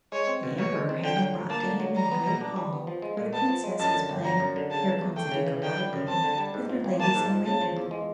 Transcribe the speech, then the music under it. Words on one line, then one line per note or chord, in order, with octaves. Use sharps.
The Emperor had them brought to him in the great hall, where the Princess was playing 'Here comes a duke a-riding' with her ladies-in-waiting.
G#3 C#5
C4
B2
B2 C#5
G#3
C4
D3 G5
F#3
D2
A#3 A5
D3
F#3
G3 A#5
B3
B2
D4
G3
B3
F3
G#3
A#2
B3 A5
F3
G#3
F#2 A5
D3
G1
F#3 A#5
F#2
D3
C#3 A5
E3
E2
A3 G5
C#3
E3
D3 G5
G3
F#2
C4 A5
D3
G3
G#2
F3
G#1
A#3 A5
G#2
F3
C#3 A5
F3
E2
G#3